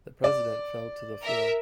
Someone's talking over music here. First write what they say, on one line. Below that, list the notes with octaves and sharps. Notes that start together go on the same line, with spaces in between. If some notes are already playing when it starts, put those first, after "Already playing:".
The President fell to the floor.
D5
A#4 E5